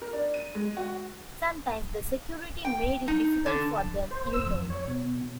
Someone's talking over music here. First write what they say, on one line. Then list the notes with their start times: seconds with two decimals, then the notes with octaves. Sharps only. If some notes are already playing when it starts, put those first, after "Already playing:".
Sometimes the security made it difficult for them, you know.
0.02 A#4
0.13 D4
0.34 D#7
0.55 G#3
0.77 F#4
2.65 G5
3.08 D#4
3.46 D3
4.11 C5
4.33 E6
4.46 F2
4.70 C#5
4.87 B2